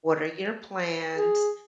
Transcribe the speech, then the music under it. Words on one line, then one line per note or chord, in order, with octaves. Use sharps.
What are your plans?
G#4